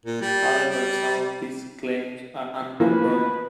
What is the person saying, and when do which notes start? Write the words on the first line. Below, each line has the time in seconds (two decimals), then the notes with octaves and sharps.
However, some of these claims are unconfirmed.
0.06 A#2
0.21 G3
0.71 G3
2.80 E3 F3 A#3 B4